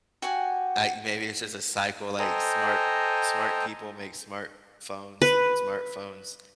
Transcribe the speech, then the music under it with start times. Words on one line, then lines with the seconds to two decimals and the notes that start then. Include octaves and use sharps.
I maybe it's just a cycle. Like, smart smart people make smart phones. Smartphones
0.22 F#4 G4 F#5 G#5
2.19 A4 C5 D#5 G5 G#5 A#5
5.22 B4